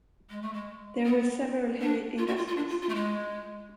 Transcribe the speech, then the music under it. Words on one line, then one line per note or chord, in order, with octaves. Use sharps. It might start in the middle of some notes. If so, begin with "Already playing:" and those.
There were several heavy industries.
G#3
A3
G#3
B3
D4
F4
F#4
F4
F4
D4
F4
F4
A3
G#3